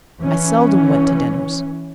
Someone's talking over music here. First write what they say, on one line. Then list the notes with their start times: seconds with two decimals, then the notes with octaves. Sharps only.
I seldom went to dinners.
0.20 E3 C#4